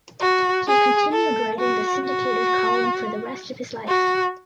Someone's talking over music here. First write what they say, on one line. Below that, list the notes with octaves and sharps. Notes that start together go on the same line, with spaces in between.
He continued writing the syndicated column for the rest of his life.
F#4
G#4
A4
F#4
F#4
F#4